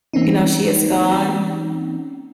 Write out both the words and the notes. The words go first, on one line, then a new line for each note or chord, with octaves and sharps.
you know, she is gone.
E3 A#3 C4 C#4 D#4